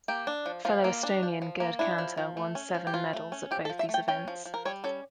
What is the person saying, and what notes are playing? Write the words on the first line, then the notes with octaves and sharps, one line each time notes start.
Fellow Estonian Gerd Kanter won silver medals at both these events.
A#3 G4
D4
F3
F3 F4
A#3
D4
F3
F3
A#3
D4 E4
F3
F3
A3
C#4
F3
G4
F3 F4
A3
C#4
F3 G4
A4
F3
E5
A3
G5
C#4 G5
F3
F3
A#4
G3 C#5
C#4 A4